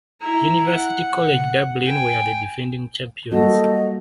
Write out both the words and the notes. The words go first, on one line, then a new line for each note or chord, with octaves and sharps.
University College Dublin were the defending champions.
E4 A#5
F#5
G5 G#5
G3 A#3 F#4 A4 D#5